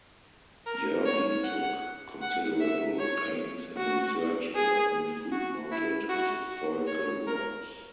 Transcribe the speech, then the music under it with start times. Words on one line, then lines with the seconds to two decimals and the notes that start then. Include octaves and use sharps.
Yerby took considerable pains in research and often footnoted his historical works.
0.66 A#4
1.05 C#5
1.44 F#5
2.22 F#5
2.61 E5
2.99 C#5
3.77 F#4
4.55 G#4
5.32 F#4
5.72 E4
6.09 F#4
6.48 F#4
6.87 C#5
7.27 A#4